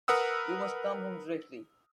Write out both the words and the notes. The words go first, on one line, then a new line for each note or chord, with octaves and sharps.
You must come home directly.
A#4 B4 F#5 D#6 E6